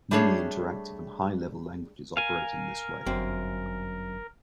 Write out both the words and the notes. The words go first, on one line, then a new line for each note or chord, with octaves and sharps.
Many interactive and high-level languages operate in this way.
G3 A3 D4 G#4 C#5
A#4 F5 G#5
G1 F#2 C4